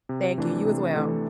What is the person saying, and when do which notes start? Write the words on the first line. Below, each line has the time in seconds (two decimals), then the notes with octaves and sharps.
Thank you. You as well.
0.09 C3
0.38 E3 A3 D4 A4
0.65 C3
0.94 E3 A3 D4 A4